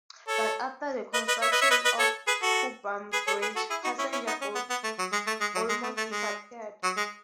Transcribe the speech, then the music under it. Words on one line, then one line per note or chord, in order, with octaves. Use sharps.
But after the construction of Kuppam Bridge, passenger boats almost disappeared.
A4 C#5
B4 D#5
B4 D#5
C#5 E5
B4 D#5
C#5 E5
B4 D#5
B4 D#5
A4 C#5
G#4 B4
F#4 A4
G#4 B4
A4 C#5
G#4 B4
F#4 A4
E4 G#4
D#4 F#4
C#4 E4
C#4 E4
B3 D#4
C#4
B3
B3
A3
F#3
G#3
A3
G#3
F#3
G#3
A3
A3
G#3
F#3
G#3